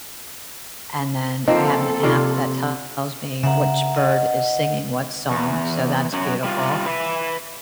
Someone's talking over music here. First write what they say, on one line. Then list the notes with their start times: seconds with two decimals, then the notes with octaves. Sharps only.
and then I have an app that tells me which bird is singing what song, so that's beautiful,
1.48 F3 A#3 C4 D#4 A4
2.03 C3 D#3 F4 D5
3.43 C#3 E5 F#5 A#5
3.96 D#5 F#5
5.31 E2
6.13 F#2 F#3
6.44 G3 F4
6.86 B4 E5